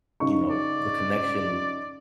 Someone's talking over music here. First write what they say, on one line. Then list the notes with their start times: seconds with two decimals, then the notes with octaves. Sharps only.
you know, the connection
0.20 C#3 D#4 C#6
0.50 D5